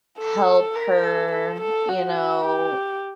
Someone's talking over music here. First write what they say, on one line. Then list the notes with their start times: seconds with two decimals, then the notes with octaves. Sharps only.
help her, you know,
0.19 A4
0.75 A#4
1.04 A4
1.31 A4
1.61 A4
1.89 F#4
2.45 G4